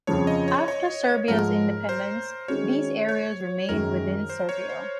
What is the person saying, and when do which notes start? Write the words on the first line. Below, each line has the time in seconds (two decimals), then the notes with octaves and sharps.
After Serbia's independence, these areas remained within Serbia.
0.07 F2 C#3 F3 C#5
0.27 D#5
0.48 C#5
0.68 C#5
1.28 G#2 F3 G#3 A#4
1.89 C5
2.48 D#3 G#3 C#4 F#4 C#5
3.09 C#5
3.69 F#2 D#3 G#3 A#4
4.30 C5
4.49 C#5
4.69 C5